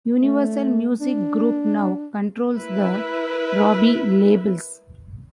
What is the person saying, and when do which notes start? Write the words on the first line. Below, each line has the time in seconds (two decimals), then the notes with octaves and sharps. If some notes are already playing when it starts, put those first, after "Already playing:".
Universal Music Group now controls the Robey labels.
0.18 A3
1.01 D4
2.57 E4 A#4 B4 E5